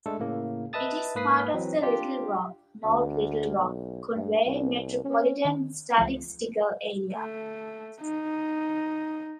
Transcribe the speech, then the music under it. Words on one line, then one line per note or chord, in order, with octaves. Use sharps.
It is part of the Little Rock-North Little Rock-Conway Metropolitan Statistical Area.
G#3 A3 D4 A4
A2 C#3 A#3
B4 D#5 E5 A5 D#6 A6
G#2 A#3 B4 D#6 B6 C7
E3 F#3 C4
D4 F4 G4
D2
B1
G2
C2
C#4
D#3
C#2 F3 A3 C#7
A3
D#4